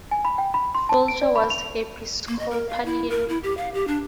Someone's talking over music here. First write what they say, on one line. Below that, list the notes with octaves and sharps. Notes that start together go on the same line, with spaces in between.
Folger was Episcopalian.
G#5
B5
G5
B5
C6
A5
D7
D5
B5
F7
A#3
D#5
A#4
F5
E4
A#4
E4
G4
F5
G4
D4